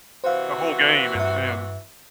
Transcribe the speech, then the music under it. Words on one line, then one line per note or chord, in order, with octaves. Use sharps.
the whole game and and
C3 E3 F#4 C5 F5
G2 E5